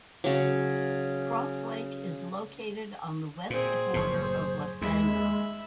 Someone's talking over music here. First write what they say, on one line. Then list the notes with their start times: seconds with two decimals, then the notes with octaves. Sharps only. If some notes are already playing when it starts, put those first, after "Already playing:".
Cross Lake is located on the west border of Lysander.
0.24 C#3 F#3
3.50 A#2 C4 G#4 C5
3.94 F#1 A2 G#4 C#5
4.81 D#2 G#3 E5 B5